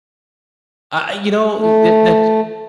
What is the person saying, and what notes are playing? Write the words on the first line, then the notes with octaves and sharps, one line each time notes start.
I I you know, i ye that ch
A3